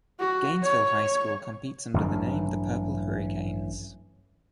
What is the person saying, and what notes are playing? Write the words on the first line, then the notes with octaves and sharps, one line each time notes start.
Gainesville High School competes under the name The Purple Hurricanes.
F#4
C#5
A1 G2 F#3 D4